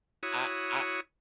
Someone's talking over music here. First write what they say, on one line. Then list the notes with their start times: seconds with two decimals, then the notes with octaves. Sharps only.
I I
0.23 E4 F#4 C#5 D#6